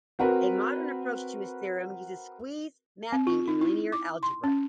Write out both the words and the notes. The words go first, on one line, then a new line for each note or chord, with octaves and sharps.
A modern approach to his theorem uses squeeze mapping in linear algebra.
C4 F#4 A#4 B4
C4
F4
D#4
E4
D6
C6
C#4